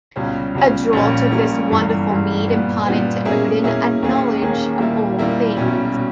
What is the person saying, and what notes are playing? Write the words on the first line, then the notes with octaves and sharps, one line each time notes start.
A draught of this wonderful mead imparted to Odin a knowledge of all things.
C#2 B2 G3 C#4
C#2 B2 G3 C#4
A#1 A#2 G3 A#3 C#4
A#1 A#2 G3 A#3 C#4
G1 G2 E3 G3
G1 G2 E3 G3
A#2 G3 B3
A#2 G3 B3
B2 A#3 C#4 E4 G#4
B2 A#3 C#4 E4 G#4
D#2 D#3 A#3 C#4 G#4
D#2 D#3 A#3 C#4 G#4
A#2 G3 A#3 E4
A#2 G3 A#3 E4
B1 B2 G3 C#4
B2